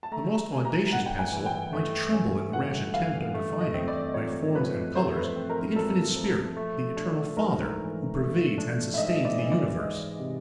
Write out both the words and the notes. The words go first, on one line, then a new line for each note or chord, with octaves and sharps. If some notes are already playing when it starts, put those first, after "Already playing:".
The most audacious pencil might tremble in the rash attempt of defining, by forms and colors, the infinite Spirit, the eternal Father, who pervades and sustains the universe.
A5
A3 A#5
C#4
A#5
G2 F#5
G5
G#5
E3
G5
A3
C#4
G2 F#5
E3 F5
A3
D#5
C4
D5
A#2 C#5
F3 B4
A3 C5
B4
C5
C4
A#4
A#2 A4
F3
A3
D4
G#2 A#4
E3
A3
D4
E5
G#2 D#5
D5
E3
D5
G#3
C3